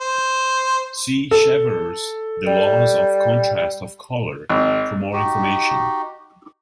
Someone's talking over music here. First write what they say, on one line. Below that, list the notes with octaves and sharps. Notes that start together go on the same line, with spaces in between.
See Chevreul's "The Laws of Contrast of Colour" for more information.
C5
A4
G3
G#1
D#4 F#4 G4